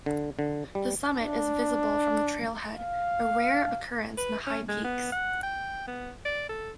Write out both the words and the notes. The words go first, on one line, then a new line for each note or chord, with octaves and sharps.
The summit is visible from the trailhead, a rare occurrence in the High Peaks.
D3
D3
G3
D4
F5
B4
C#4
G#3
B3
F#5
G5
B3
D5
A4